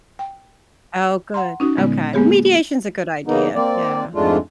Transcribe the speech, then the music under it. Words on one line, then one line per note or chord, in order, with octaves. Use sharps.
Oh, good, okay mediation's a good idea, yeah.
G5
F#5 A#5 C6
C#4 D#4 F#4
A#2 D3 G#3 B3
G#3 A#3 B3 G4 G#4 C#5
C#3 E3 A#3 B3 D#4
A#3 C4 D5
F2 G#2 G#3 A3 D4 F4